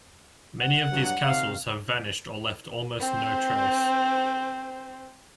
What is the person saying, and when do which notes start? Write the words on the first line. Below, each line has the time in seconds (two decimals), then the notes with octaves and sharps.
Many of these castles have vanished or left almost no trace.
0.60 F#5
0.91 G2 F#3
1.24 C3 D#3 F5
3.01 C4 C5